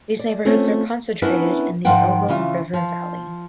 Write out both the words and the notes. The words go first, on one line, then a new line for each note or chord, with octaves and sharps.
These neighbourhoods are concentrated in the Elbow River valley.
D5
A3 C4 C#4 F4
B3 C#4 D4 E4 A#4 B4
G#2 D#3 F3 C5 F#5 G5
C#3 E3 F4
F3